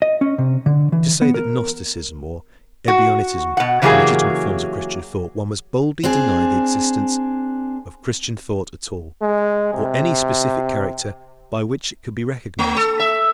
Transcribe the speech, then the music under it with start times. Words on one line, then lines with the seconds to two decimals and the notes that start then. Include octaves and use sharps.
To say that gnosticism or ebionitism are legitimate forms of Christian thought, one must boldly deny the existence of Christian thought at all, or any specific character by which it could be recognized.
0.02 D#5
0.21 C#4
0.38 C3
0.66 D3
0.92 E3
1.22 B3
1.34 A#4
2.88 F#4
3.57 B2 F#5
3.82 C#3 E3 F#3 A#3 G4 G#4
6.04 C4 D4 G#4
9.22 G#3
9.73 C3
12.59 A3
12.77 A4
12.99 E5